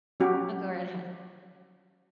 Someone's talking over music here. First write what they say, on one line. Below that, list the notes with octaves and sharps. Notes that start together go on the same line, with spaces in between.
Oh, go right ahead.
F#3 C#4 F#4 G4